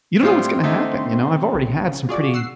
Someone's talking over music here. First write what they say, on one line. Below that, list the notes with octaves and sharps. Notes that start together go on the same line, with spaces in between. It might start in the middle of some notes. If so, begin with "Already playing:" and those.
you don't know what's gonna happen, you know?" I've already had some pretty
A2 G3 C4 F4 C5 C6
D3 A3 D#4
B1
C#3
F4 F#4 G#4 D5
F#5 E6 C7